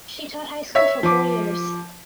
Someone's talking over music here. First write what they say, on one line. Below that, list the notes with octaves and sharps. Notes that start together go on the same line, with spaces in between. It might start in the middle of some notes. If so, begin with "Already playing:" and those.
She taught high school for four years.
C#5 E5 B6
F3 D6